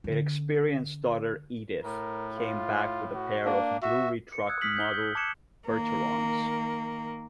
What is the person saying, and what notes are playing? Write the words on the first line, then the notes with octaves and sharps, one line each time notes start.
Inexperienced Daughter Edith came back with a pair of brewery-truck-model Percherons.
D3 C#4
A2 A#4
F4
F#4
A#3 D4
F#4 E5
C#7
D#6 E6 F#6 G#6
D#6 F6 B6 F#7
G6 G7
G6
A5 D6 F#6 G#6 C#7 E7
D#3 A#3